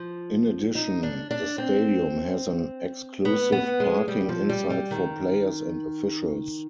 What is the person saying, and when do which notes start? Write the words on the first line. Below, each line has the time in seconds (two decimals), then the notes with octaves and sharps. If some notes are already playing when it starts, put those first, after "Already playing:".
In addition, the stadium has an exclusive parking inside for players and officials.
Already playing: F3
0.75 D#4
1.03 D4
1.31 D4
1.58 C4
3.25 B3
3.52 B3
3.80 G#3
4.08 G3
4.29 F3
4.49 G3
4.70 G3
4.91 D#3